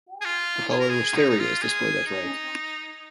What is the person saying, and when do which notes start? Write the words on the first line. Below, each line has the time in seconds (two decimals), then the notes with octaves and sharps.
The color wisteria is displayed at right.
0.21 G#4
0.25 F4
0.72 G#4
0.80 A#4
0.90 G#4
1.16 D#4
1.30 D#4
1.39 F4
1.62 G#4
2.07 D#4